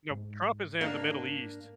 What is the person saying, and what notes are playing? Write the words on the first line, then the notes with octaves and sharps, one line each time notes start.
You know, Trump is in the Middle East.
G#2
A#3 D4